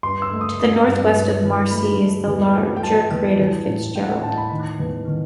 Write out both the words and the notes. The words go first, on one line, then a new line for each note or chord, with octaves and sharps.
To the northwest of Marci is the larger crater Fitzgerald.
G2 C6
E6
A3
D#6
A3 D#6
G2
G2
E3
A3 B5
G2
E2
A3
G5
F#3 A5
E2
E3
A2
A2 G5
F#5
G5
A2 A5
B5
D#3
E2
D#3